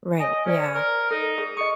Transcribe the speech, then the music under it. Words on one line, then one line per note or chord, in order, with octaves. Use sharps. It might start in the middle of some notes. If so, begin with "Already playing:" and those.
Right, yeah.
C#5 D#5 G#5
C#4 C5 D5 G#5
A#4
D#4 A4
G#4
D#5 C#6 D#6